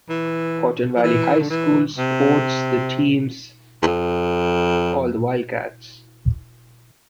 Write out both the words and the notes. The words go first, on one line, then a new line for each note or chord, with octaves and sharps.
Cotton Valley High School sports the teams called the Wildcats.
E3
F3
E3
D3
E3
C3
E2
F2